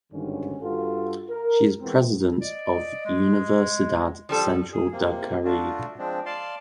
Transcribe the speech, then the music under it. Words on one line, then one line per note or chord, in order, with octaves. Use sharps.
She is president of Universidad Central del Caribe.
G#1 G2 D3 D#3 C#4
G2 F4 F#4 A4
A#4
E3 G#3 B3 C4
D5 D#5
G#3
F3 G3 A4
G#4
C3 A#3
A3 D4 F4 F#4
F3 G#3 C4 D4
D5 F5 A5 C6